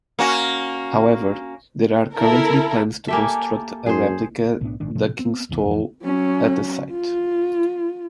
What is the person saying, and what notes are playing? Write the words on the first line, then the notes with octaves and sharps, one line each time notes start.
However, there are currently plans to construct a replica ducking stool at the site.
A#3 C#4 F#4
E4 A4 A#4
A#3 G4 A4 E5 G#5
F#2 G#4 C5
B1 A2 B3 D4
A#1 G#2 D#3 D4
A2 C3 F3
B3 C4
F#1 C2 E3 B3
F2 E3
F#3 C#4
F4